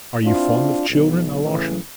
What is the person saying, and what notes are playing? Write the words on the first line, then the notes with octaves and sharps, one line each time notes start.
Are you fond of children, Alyosha?
C4 D4 E4 F4
B1
A2 C#3 E3